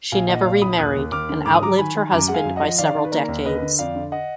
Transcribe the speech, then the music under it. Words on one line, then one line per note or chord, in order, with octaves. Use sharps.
She never remarried and outlived her husband by several decades.
A#1 F5 G#5
A#2 D#5 F#5
A#1 D5 F5
A#1 B5 D#6
D#2 D#6 F#6
D#2
D#2 D6 F6
D3
G#2 D6
D#6
F#3 A#5 D6
D#3 G#5 B5
D#3
F#2 A#5 D6
G#3 F#5
F5 G#5
F#2
D#5 F#5
F3
D#3 D5 F5
D#3
B4
A#3 A#4 D5
D#2
D3 B4 D#5
D3
F2 D5 F5
D3
D#5 F#5